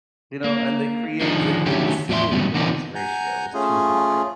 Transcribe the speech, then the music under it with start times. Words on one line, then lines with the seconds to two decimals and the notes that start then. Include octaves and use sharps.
you know, and they create like, the the signal to noise ratio is too high,
0.44 A#3
1.21 D3 D#3 F3 G#3 D4 D#4
1.66 D3 D#3 F#3 A3 C#4 G4
2.09 E2 A2 F3 D5 E5 C6
2.32 E2 G2 C#3 F#3 G3 B3
2.54 D3 E3 B3 C4 D#4 D5
2.95 F#5 G#5 A#5 G6
3.54 A3 C#4 F4 G#4